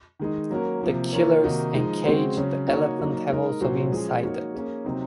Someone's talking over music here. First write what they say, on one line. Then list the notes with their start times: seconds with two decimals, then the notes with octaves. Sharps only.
The Killers and Cage the Elephant have also been cited.
0.19 D#3 G#3 D#4
0.50 F#3 A#3 C#4 F#4 A#4
0.81 C3 F3 A#3
1.13 D#3 A#3 F4 A#4 C#5
1.44 C3 D#3 A#3 D#4 F#4
1.74 F3 G#3 D#4
2.05 C#3 G#3 C4 F#4 C5
2.37 C#3 F#3 C#4
2.68 A#3 D#4 F#4 C#5
2.99 F#3 A#3 D#4 F#4
3.29 G#3 D#4 A#4
3.61 A#2 F#3 C#4 F#4 C5
3.92 F3 G#3 C#4 G#4
4.23 A#3 D#4 F#4 A#4 C#5
4.54 A#3 C#4 G#4
4.85 C3 F#3 C4 D#4